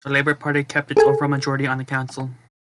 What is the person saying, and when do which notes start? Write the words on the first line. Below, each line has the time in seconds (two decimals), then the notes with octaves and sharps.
The Labour party kept its overall majority on the council.
0.97 G#4 A4 G#5